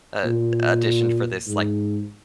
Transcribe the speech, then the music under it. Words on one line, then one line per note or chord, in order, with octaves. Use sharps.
a addition for this like
A#2
G#2